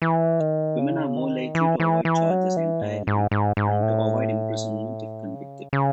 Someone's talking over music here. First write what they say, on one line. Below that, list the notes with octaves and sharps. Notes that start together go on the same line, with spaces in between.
Women are more likely to avoid charges entirely, and to avoid imprisonment if convicted.
E3
D#3
C#3
D#3
E3
E3
E3
F#3
E3
G#2
G#2
G#2
G#2
A2
C#3
C#3